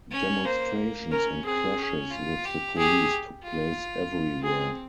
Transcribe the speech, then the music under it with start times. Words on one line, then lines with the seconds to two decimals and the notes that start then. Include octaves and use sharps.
Demonstrations and clashes with the police took place everywhere.
0.11 C#4
0.45 A#3 C5
1.11 C#4 A#4
1.45 C4 G#4
1.78 C#4
2.11 F4
2.45 G4
2.78 G4 G#4
3.43 F4
4.43 C4 G#4